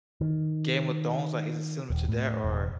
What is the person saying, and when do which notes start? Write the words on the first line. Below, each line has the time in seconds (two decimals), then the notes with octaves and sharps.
Game of Thrones, like, is it similar to that? or
0.21 D#3
1.90 D#1
2.09 A2
2.44 E1